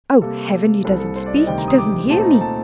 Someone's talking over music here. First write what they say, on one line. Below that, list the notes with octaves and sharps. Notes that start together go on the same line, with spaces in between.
Oh, Heaven! he doesn't speak--he doesn't hear me!
C3 G3 A#3 A4
C2 C3 G3 C4 A4
A4
C5
D5
D#5
D2 C3 D#3 G3 C4 G5
A#5
D#6
D6
A#2 A3 C4 D#4 A5
A#5
A#5
A5